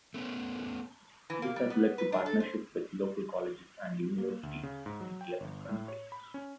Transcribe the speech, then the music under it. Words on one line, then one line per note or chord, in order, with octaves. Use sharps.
This has led to partnership with local colleges and universities in eleven countries.
A3 B3 C#4
E3
A#3
G3
B3
B4
D4
A4
C5
A#3
D2
C#3
G#2
F#3
G5
G1
A2
C#5
B5
C#4